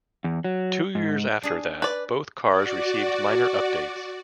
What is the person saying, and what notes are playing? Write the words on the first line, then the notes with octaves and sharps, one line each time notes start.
Two years after that both cars received minor updates.
E2
F#3
G#2
D4 G#4
B4 D5
F#4 D5